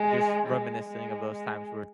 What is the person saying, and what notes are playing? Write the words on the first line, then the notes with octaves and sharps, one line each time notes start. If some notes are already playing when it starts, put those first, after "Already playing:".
just reminiscing of those times were
Already playing: G#3
G#3
G#3
G#3